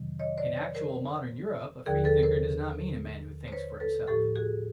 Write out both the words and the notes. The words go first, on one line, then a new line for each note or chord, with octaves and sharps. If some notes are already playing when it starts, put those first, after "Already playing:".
In actual modern Europe a freethinker does not mean a man who thinks for himself.
Already playing: F2 C3 D#3 F#3
C#5 D#5
C5 D5
B4 C#5
A#4 C5
D#2 D3 F3 G#4 A#4
A4 B4
A#4 C5
C5
B4 C#5
A4 B4
A2 F3 G4 A4
F#4 G#4